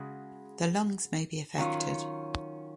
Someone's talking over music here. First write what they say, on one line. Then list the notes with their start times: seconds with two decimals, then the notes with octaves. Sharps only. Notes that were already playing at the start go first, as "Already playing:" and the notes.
The lungs may be affected.
Already playing: C#3 G#3 F#4
1.57 D#3 F#3 C#4 F4